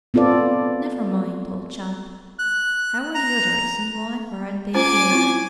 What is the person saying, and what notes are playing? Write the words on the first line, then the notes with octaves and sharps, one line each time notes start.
"Never mind, old chap. How are the others, and why aren't they here?"
B3 C4 F4 A4 D5
F#6
A#5
C#4 F4 C5 G#5 D6
C4 E4 F4